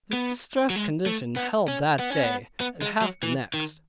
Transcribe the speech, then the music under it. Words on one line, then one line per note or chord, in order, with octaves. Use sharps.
This distressed condition held that day, and half the next.
B3
F#3
G#3
A3
B3
C#4
B3
C#4
B3
B3
G#3
F#3
E3
D#3